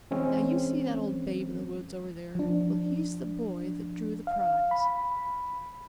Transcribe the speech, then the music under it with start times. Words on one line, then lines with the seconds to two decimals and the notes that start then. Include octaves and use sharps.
Now, you see that old babe-in-the-wood over there? Well, he's the boy that drew the prize.
0.11 E3 G#3 C4 C#4
2.35 F3 D4
4.27 F5
4.71 B5